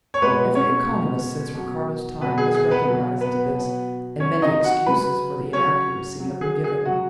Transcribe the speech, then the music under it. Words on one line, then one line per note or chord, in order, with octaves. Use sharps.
Every economist since Ricardo's time has recognized this, and many excuses for the inaccuracy have been given.
C#5
B2 G#3 B3 B4
C#4 C#5
B2 G#3
B2 F#3
B2 F#3 B3 B4
G#4
G#4
B3 B4
B2 F#3
B3 B4
B2 F#3
C#3 F#3 C#4 C#5
D#4 D#5
F#4 F#5
C#3 F#3 B4 B5
C#3 F#3 C#4 C#5
C#3 F#3
G#4
G#4
C#3 F#3 F#4